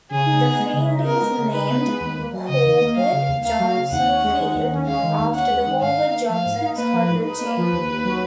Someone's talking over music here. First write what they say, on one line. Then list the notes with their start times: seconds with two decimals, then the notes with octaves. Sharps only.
The field is named "Howard Johnson Field", after the Howard Johnson's hotel chain.
0.10 C#3 G#4
0.26 D#4
0.42 B3
0.59 G#3
0.73 C#3
0.90 D#4
1.05 B3 A#4
1.21 G#3
1.37 C#3
1.53 D#4 B4
1.70 B3
1.86 G#3
2.00 D#2
2.17 A#3
2.32 F#3
2.49 C#3 D#5
2.65 D#2
2.81 A#3
2.96 F#3 F5
3.12 C#3
3.28 D#2
3.44 A#3 F5
3.59 F#3
3.76 C#3
3.91 D#2 F#5
4.07 C#4
4.24 G#3
4.39 D#3
4.54 D#2
4.71 C#4
4.87 G#3 F5
5.03 D#3
5.18 D#2
5.34 C#4 F#5
5.50 G#3
5.66 D#3
5.81 G#2 F5
5.98 D#4
6.14 A#3
6.29 F3 F5
6.46 G#2
6.61 D#4
6.77 A#3 B4
6.93 F3
7.09 G#2
7.24 D#4 B4
7.41 A#3
7.57 F3
7.72 D#2
7.89 D#2
8.04 F#3